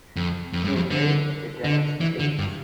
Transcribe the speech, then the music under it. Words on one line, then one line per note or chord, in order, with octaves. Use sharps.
She is married to Dennis Bates.
F2
F2
G2
F2
D3
D3
E3
D3
G2